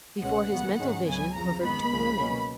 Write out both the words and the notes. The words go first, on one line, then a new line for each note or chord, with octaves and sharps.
Before his mental vision hovered two women.
C#2 B2 G#3 C#4 F#5
D#2 C#3 F#3 B3
G#2 D#3 G#3 C#4
C#2 C#3 F#3 B3 G#5
F2 C#3 F3 A#5
G#2 D#3 G#3 B3 B5
C#2 C#3 F3 G#3
B2 F#3 A#3 C#4